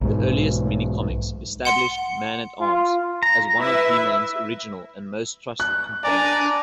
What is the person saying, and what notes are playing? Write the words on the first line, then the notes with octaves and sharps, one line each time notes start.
The earliest mini-comics establish Man-At-Arms as one of He-Man's original and most trusted companions.
B1 G#2
F#5 C6 C#7
F4
A#5
E4 B4 E5
F#6
D4 D5 G#5 A#5